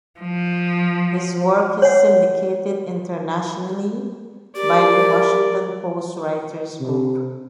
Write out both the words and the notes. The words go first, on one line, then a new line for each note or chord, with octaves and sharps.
His work is syndicated internationally by The Washington Post Writers Group.
F3
C#5 F#5
G4 A#4 D5
C3